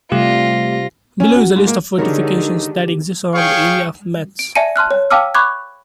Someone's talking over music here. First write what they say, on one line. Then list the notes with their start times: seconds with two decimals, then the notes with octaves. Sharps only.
Below is a list of the fortifications that exist around the area of Metz.
0.12 C3 G3 A3 F4 G4 A#6
1.20 C#4
1.36 F#4
1.56 G#2
1.67 A#3
1.98 D3 D#3 G#3 D#4 F#4 G4 A#4 C#5
3.34 G#4 C#5 F5 G5 C#6
4.39 D7
4.55 D5 E5 G#5 A5 C#7 D#7
4.76 A5 C6 F6 F#6
4.91 C#5
5.11 F5 G5 A5 D6 E6 F6
5.35 B5 C#6 D6 F#6 G#6